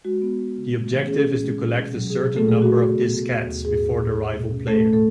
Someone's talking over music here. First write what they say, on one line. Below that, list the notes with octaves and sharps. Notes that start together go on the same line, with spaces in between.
The objective is to collect a certain number of diskettes before the rival player.
G#3 F#4
B3
G#3
C#3
A3
E3
C#4 G#4
C#4
G#3
B2
B2
F#3
B2 G#4
B2
A3 A4
B2 G#4
E4 F#4
C#3
B3
A3
D#2
D#2
G#2 G#4
G#2
G#2
A3
B2
C#4
A2 A3 A4
A2
A3 A4